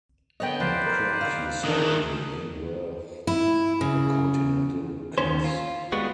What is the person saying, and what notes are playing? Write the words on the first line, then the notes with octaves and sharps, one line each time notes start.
That clock you sold me ain't worth a continental cuss.
D3 B3 C#5 D#5 G5
F3 B4 C5 D5
A#4
D#3 F5
D#3 E3 D4 D#4 A#4 D#6
E4
C#3
D#2 D#3 C#4 C5
F4
G3 G#3 B3 F#4